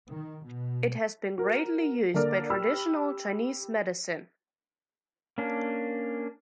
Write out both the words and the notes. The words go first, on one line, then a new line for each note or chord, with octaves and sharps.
It has been greatly used by traditional Chinese medicine.
D#3
B2
F#4 A#4
D3 A#3 A4 A#4 D5 F6
G4 B5 E6 F6
A#3 C#4 D4